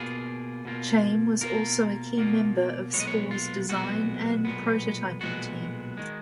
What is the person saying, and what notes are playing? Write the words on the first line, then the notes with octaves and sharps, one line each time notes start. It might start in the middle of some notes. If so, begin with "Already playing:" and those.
Chaim was also a key member of Spore's design and prototyping team.
Already playing: B2 A#3 F4 G#4
B2 A#3 F4
B2 A#3 F4 A#4
B2 A#3 F4
B1 A#2 G#3 B3 C#5
D#5
C#5
F4
B1 A#2 G#3 B3 F#4
B1 A#2 G#3 B3
B1 A#2 G#3 B3 F#4
D#3 G#3